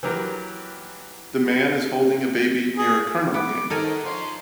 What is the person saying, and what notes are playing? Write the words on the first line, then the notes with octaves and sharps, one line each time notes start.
The man is holding a baby near a carnival game.
E3 F#3 G4 A#4
G#4
B3 D6
G#2 D#3 D#4 A4 A#4 D#5 G#5
F3 C#4 C6